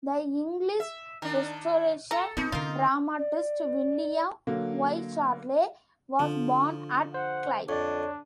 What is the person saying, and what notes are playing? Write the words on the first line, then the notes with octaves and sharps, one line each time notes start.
The English Restoration dramatist William Wycherley was born at Clive.
E5
D#3 D4 A#4
A4 A#5
F3 A#3 C4 D#4
D3 A#3 C#4 F4
D5
D3 F#3 A#3
D3 F3
C5 F#5
F2 D4 C#5 D5